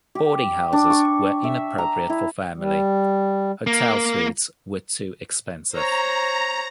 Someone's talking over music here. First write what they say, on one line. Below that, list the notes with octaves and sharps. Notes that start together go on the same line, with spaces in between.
Boarding houses were inappropriate for family; hotel suites were too expensive.
G4
D4
C#6
E5
A#5
E4
G3
A#3
C5 C#5 A#5